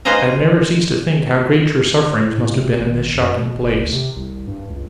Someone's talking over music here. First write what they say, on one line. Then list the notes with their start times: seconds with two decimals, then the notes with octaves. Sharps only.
I have never ceased to think how great your sufferings must have been in this shocking place.
0.05 B4 C5 D#5 F5 G#5 A#5
2.21 A2
2.52 C3
2.79 G#1
3.15 F#2
3.35 B2
3.62 F#1
3.80 D2
3.92 C3
4.16 C2
4.47 G2
4.70 C#2